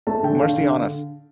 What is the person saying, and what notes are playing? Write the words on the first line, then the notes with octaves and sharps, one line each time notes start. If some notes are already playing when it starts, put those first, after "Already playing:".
Mercy on us!
A3 A5
D3 G5
D3 F5
D3